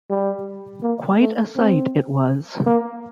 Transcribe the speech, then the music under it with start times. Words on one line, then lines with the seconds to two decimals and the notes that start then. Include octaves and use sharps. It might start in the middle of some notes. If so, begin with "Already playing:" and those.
Quite a sight it was.
0.10 G3
0.83 A#3
1.20 A3
1.56 C4
2.66 A#3